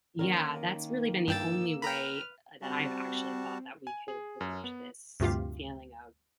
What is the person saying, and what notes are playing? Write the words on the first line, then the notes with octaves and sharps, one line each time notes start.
Yeah, that's really been the only way, uh, that I've actually thought that we could bridge this feeling of,
D#3 A#3 C#4 A#4
G2 G5 E6 A6
B4 G5 A#5 B5 F6
G3 C4 F#4 A5
G#5
G#4
F#2
B3
D2 G2 C3 F4 G4 F5